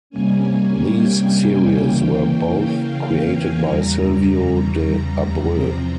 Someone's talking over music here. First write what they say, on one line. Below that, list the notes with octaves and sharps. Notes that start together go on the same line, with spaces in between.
These series were both created by Silvio de Abreu.
C3 G3 A#3 C#4 G#5
G#5
G5
C#3 E3 A#3 C#4
F5
G5
G#5
E2 C#3 G3 A#5
E2 C3 F3 C4 A#5